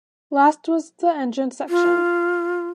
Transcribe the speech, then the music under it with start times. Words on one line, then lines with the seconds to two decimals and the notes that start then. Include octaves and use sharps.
Last was the engine section.
1.69 F4